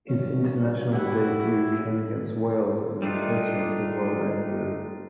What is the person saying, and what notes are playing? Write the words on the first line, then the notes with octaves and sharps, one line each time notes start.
His international debut came against Wales as a replacement for Rob Andrew.
G2 C#4
E4 F#4 G4 F#5
G3 A3 D4 D#4 F4